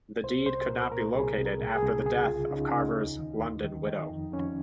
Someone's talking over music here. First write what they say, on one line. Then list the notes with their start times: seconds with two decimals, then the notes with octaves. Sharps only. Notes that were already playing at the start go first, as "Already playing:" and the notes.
The deed could not be located after the death of Carver's London widow.
0.23 C2 C5
0.46 C2 C5
0.69 A#2 A#4
0.92 A#2 A#4
1.14 C2 G#4
1.38 C2
1.45 A#4
1.60 A#2
1.75 G#4
1.83 C2
2.06 C#3 G#4
2.28 C#2 F4
2.51 C#3 D#4
2.69 C#4
2.74 C#2 D#4
2.96 D#2
3.19 D#3
3.42 D#2
3.64 D#3
3.87 D#3 D#4
4.10 F2
4.32 F2 C#4